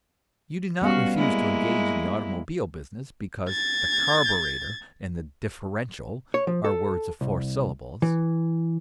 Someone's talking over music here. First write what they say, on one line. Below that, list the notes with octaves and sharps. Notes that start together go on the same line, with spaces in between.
You do not refuse to engage in the automobile business because the carburetor and the differential are words of four syllables.
G3 B3 C#4 F#4 F5
G#3 A#3 E4
G#6 A6
C#5
F3
A4
C2
E3